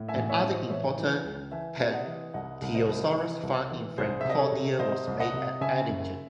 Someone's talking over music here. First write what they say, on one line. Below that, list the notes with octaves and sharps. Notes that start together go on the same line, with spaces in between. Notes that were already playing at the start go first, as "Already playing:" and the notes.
Another important "Plateosaurus" find in Franconia was made at Ellingen.
Already playing: A2
E5 G#5
A1
C#5 E5
A1
C5 D#5
E3 C#5 E5
E3
C#2
E3 E5 G#5
C3
D#5 F#5
E3
C2 D#5 F#5
C2
C5 D#5
C2
E3
C2
E3
C2 G#4 C5
E5
C3 D#5
A4 C#5
C3
C3 C5 D#5
C2
D#5 F#5
C3
C#3 E5 G#5
F#1